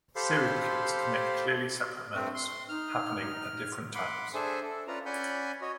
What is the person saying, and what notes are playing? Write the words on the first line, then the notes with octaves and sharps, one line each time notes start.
Serial killers commit clearly separate murders, happening at different times.
G4 A4 C5 F5 B5 C6
G2 A3 C4
C6
D#4 F6
F#5 B5 C6 D6
D4 G#4 A4 C5 E5 G#5
A4
C#4 F4 B4 D5 A#5
C#4 D5 F#5 G#5 B5 G6
F#4 C#5 D#5